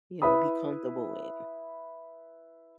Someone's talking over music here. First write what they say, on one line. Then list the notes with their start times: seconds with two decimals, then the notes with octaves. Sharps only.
you know be comfortable in,
0.22 E4 B4 E5 B5 D#6